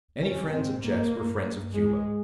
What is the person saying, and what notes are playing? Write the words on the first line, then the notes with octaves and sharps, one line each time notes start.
Any friends of Jeff's were friends of Cuba.
F2 C3 C#4
G#2 C4
G#2 A#3
G2
G2
G#2 G#3